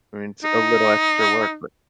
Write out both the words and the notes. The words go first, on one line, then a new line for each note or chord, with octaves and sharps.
I mean, it's a little extra work, but
D#4